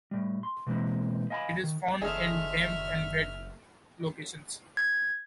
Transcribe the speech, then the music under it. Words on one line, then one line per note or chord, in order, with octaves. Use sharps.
It is found in damp and wet locations.
A2 G3
C6
B2 E3 G#3 A#3 C4
D#5 F5 G#5 A5 B5
D#3
F#1 D#3 C#4 G#4 A4 D#5 E5 F6
G#6